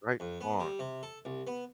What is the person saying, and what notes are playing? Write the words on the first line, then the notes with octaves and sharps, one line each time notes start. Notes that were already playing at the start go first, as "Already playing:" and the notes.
Right on.
F2
B3
G3
C3
A4
C2
B3